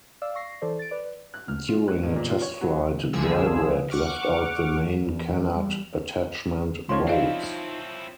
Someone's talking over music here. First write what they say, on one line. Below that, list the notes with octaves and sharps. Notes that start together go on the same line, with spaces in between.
During a test flight Drybread left out the main canard attachment bolts.
D5 F5 E6
C#6 A#6 C7
E3 A4 C5 D5
A6 D7
B4 D5
F#6
F6
F4
F#6
A1
A#2
F4
C#5
F#3
C2 D3 F3 G#4 E6
F#5 C#6 D6 F6
E2
G3
F3 D#4 F4 C#5 C6
C4 E4 D5 D#5 F5